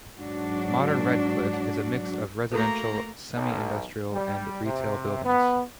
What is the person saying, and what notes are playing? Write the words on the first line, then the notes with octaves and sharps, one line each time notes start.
Modern Redcliffe is a mix of residential, semi-industrial and retail buildings.
G#2 F#3 D4 F#4
A3 A#3 F#4 A4 B4 A#5
B1
G3
C3
B3